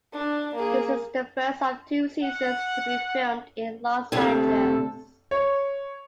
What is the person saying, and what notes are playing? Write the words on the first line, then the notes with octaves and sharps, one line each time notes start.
This is the first of two seasons to be filmed in Los Angeles.
D4
A#3 G#4
F#5
D2 C3 A4
C#5